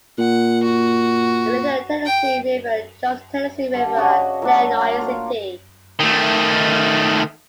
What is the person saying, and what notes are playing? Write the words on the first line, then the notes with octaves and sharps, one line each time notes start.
The Little Tennessee River joins the Tennessee River at Lenoir City.
A#2 F#5
F#4
G5
G2 D3
C#3 D4 F#4 D#5
F#3 A3 D4
A#3
F4 A#4
D#3 A3